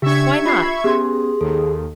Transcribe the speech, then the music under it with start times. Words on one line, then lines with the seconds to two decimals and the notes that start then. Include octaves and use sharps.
"Why not?"
0.02 C#3 D4 G4 E5 C#6 G#6
0.45 F4 B5 C7
0.84 B3 C#4 G4 G#4 C6
1.41 D#2 A4